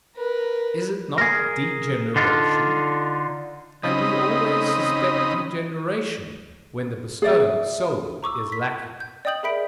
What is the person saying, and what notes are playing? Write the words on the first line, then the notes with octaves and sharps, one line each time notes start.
Is it not DEGENERATION?--And we always suspect degeneration when the bestowing soul is lacking.
A#4 B4
G#4 A#4
D3 D4 D#4 F4
C#3 C4 D#4 D#5 B5
G#4 D5 E5
A#5 C#6 D6 E6
C6 B6
G6
D5 D#5 G5 D#6 G6 F#7
G#4 A#4 E5 B5 B6 D7